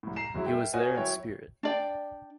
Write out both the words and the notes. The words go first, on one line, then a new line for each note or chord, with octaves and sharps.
He was there in spirit.
C2 A2
A#5 C7 E7
F#2 F#3 G#3 E4
A#4 E5 G5
F#4 A#4 C#5 D#5 F#5 G#5
F#3 E4 C#5 G5
D4 D5 G5